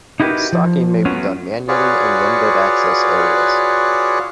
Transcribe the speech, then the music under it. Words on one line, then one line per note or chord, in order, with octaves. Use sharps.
Stocking may be done manually in limited access areas.
D#4 E4 F#4 G4 A#4 B4
F3
F#3 A3 B3 C#4 F4
F4 F#4 G#4 B4 C#5 D5